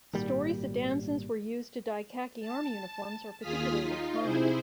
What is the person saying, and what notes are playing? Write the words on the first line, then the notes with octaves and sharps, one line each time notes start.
Stories that damsons were used to dye khaki army uniforms are particularly common.
G#1 A#2 G3
A5
D#2 F4 G#4 D#6 F6 B6
D#4 F4
C3 E4 G#4 C5